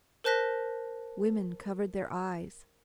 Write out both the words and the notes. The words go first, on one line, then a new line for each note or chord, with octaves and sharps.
Women covered their eyes.
A#4 C5 A5 F#6 A#6 B6